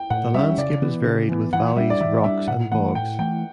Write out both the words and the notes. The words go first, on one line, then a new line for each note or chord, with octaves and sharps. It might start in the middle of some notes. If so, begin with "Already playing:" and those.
The landscape is varied, with valleys, rocks, and bogs.
Already playing: G5
A2 F#5
G3 C#4 E5
C#3 D5
E3 B3
C#3
E3 B3
E3 F#5
G3 D4 E5
D5
E3 E5
G3 D4 E5
A2 F#5
E3 A3 F#5
A2 G5
E3 A3 G5